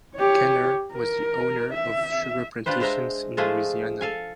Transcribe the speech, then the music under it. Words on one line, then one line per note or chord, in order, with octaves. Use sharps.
Kenner was the owner of sugar plantations in Louisiana.
G4 C#5
A#4
E5
D4 F4 G4 B4 C5
G#3 C5 E5 A#5
F3 G#3 A3 F4 G#4 E5
A4 F5 G#5